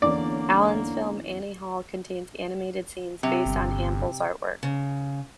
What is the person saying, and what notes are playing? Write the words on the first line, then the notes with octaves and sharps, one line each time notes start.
Allen's film "Annie Hall" contains animated scenes based on Hample's artwork.
E2 D3 E3 A#3 C#4 D5
C3 F#3
G1
C#3